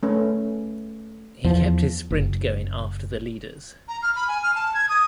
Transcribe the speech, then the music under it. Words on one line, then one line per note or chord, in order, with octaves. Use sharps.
He kept his sprint going after the leaders.
A3 C#4 B4
E2 F3
F#1
A#5
F6
B5
G#5
F6
A5
G#6
D#6